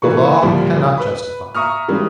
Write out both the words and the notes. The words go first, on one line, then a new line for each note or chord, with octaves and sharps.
The Law cannot justify.
E3 A#3 B4 C#6
D2 A#2 F3 G3
B4 B5
E5 A#5 C#6 D#6 F6
E3 G3 G#3 C#4 D#4